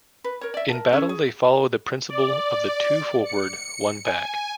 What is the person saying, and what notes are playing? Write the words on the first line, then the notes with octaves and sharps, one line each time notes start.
In battle they followed the principle of two forward, one back.
B4
A#4 C#5
D5 E5
A#4 A5
C#4 A4 C#5
G#4
D5
C#7
G#5